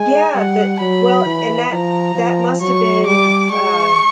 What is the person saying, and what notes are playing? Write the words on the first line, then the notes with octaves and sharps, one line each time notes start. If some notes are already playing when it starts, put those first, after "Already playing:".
Yeah, that Well, and that that must've been, uh,
Already playing: G#3 G#5
G3 F#5
F#3 B5
E3
F3 A#5
F3
F#3 C#6
G3 D6
G#3 C#6